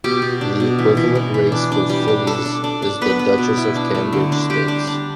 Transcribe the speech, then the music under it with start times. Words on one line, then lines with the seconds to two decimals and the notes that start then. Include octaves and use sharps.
The equivalent race for fillies is the Duchess of Cambridge Stakes.
0.04 B2 G4
0.22 B2
0.41 D4
0.60 B2
0.79 E3
0.97 E3
1.15 E3
1.34 E3
1.52 D4
1.72 D4
1.90 G3
2.08 D4
2.27 D4 A4
2.46 D4
2.64 D4
2.82 D4
3.01 B3 B4
3.19 B3
3.38 B2
3.58 E4
3.75 D4
3.95 A3
4.13 D3
4.32 D4
4.50 G3 G4
4.68 D4
4.87 D4